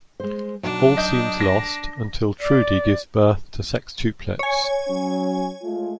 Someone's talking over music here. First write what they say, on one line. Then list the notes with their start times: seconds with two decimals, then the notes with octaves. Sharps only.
All seems lost until Trudy gives birth to sextuplets.
0.20 G#3 C5
0.64 B1 F#3 D4
0.97 D#5 G6
1.40 A#6
2.40 D5
4.39 C#5 G#5
4.88 F#3 C#4
5.62 G#3 A3 F4